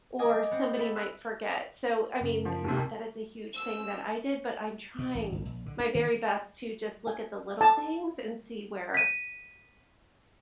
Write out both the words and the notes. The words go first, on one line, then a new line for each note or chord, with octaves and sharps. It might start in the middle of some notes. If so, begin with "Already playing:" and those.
or somebody might forget, so, I mean, not that it's a huge thing that I did, but I'm trying my very best to just look at the little things and see where
D#5 G#5 D6 D#6
B3 C4
A4 E5 B5
E6 F#6 B6
F#2 C#3 A#4
F3
D#2 C3
E6
B2
A1
G1
A#1
D3
D4
D#3
G#5
A5
B6 D#7